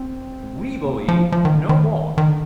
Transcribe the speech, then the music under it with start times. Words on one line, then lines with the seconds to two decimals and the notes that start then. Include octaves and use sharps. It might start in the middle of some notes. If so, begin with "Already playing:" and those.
We believe no more.
Already playing: C4
0.85 A#3
0.91 C4
0.98 A#3
1.08 F3
1.32 F3
1.45 D#3
1.57 D3
1.69 D#3
2.18 D#3
2.29 D3